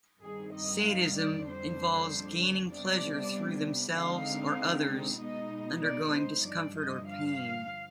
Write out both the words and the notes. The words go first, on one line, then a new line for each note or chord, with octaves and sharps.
Sadism involves gaining pleasure through themselves or others undergoing discomfort or pain.
G2 D#3 G3 C4 D#4 G#4
D#5
F5
D5
F2 D3 G3 D4 C5
C3 G3 B3 D4 D5
D3 G#3 C4 D#4 F5
B2 G#3 B3 D#4 D#5
D5
C5
G2 D3 F3 D5
D#5
F5